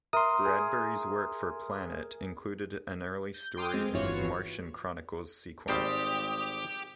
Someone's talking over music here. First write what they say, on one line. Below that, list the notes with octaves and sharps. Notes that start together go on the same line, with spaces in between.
Bradbury's work for "Planet" included an early story in his "Martian Chronicles" sequence.
A#4 E5 A#5 C6 D#6
G#4
G6
G5 C6 D6 D#6 F6
G#3 C4
G1 E3 F4 F#4 C#5
G#1 G3 G4 C5 D#6